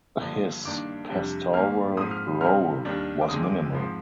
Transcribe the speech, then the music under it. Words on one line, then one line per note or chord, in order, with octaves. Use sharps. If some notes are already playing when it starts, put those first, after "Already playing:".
His pastoral role was minimal.
G2 D3 F3 A#3
G2 D#3 A#3 D4 D6
F2 C3 G3 D4
G#2 D#3 A#3 F6
G#2 F3 C4 D#6
F6
C3 G3 C4 F6
D#2 D#3 G3 D4
D6
F2 D3 G#3 C4 D#6
D6
G#2 F3 C4